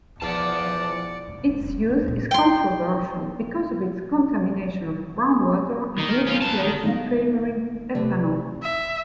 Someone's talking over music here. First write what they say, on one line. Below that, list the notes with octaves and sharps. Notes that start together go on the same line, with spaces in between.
Its use is controversial because of its contamination of groundwater and legislation favoring ethanol.
E2 F3 D5 F#5 A5
F1 D#3
G#2 D3
E1 F3
A#3 D#4
D#2 A#2
G5 C6
D#3
C#4 F4
F#2 A5
D#3
D#3 A3 B3 D#4 D#5 F5
C3 A3 B4 D5
E5